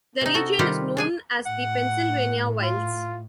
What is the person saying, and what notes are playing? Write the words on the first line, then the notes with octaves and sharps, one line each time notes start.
The region is known as the Pennsylvania Wilds.
C3 D#4
F#4 A4
C3 D#3 G3 F4 G4 F#5
D4 G#4 G#5
A2 F#5
F4